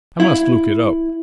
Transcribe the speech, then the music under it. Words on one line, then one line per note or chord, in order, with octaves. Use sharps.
I must look it up.
E4